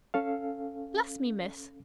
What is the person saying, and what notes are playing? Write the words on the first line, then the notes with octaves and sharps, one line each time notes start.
'Bless me, miss!
C#4 A4 F5